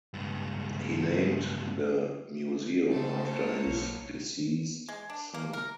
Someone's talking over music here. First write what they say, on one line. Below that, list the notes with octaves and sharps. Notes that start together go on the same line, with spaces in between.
He named the museum after his deceased son.
C#2 G2
C#3 A4 C5
A#3 C#5
B1
G#3
D4
A#3
A#4